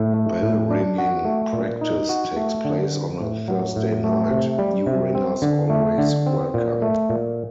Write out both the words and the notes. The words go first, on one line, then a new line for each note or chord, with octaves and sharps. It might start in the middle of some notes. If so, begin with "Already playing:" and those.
Bell ringing practise takes place on a Thursday night - new ringers always welcome.
Already playing: A2
A3
A2
D4
F#4
A3
A#2
D#4
F#4
A3
D3
C4
A2
F#3
A2
A3
C3
G3
C3
C4
D3
A3
D3
C4
A#2
A3
A#2